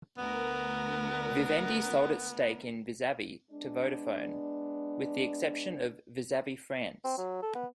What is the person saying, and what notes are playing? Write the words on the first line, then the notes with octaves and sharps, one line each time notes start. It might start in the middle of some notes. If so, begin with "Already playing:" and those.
Vivendi sold its stake in Vizzavi to Vodafone, with the exception of Vizzavi France.
D2 B3 A#4
G#3 B3 D4
C4
F#3
A4
B3